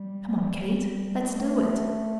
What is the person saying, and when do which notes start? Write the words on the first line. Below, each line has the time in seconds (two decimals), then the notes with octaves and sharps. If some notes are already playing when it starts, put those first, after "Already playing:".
Come on, Kate, let's do it!
Already playing: G3
0.44 G3
1.24 A3